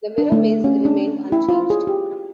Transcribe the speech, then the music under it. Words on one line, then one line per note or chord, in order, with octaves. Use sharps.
The Mirror Maze remained unchanged.
D4
A3
C#4
D4
E4
F4
G#4
G4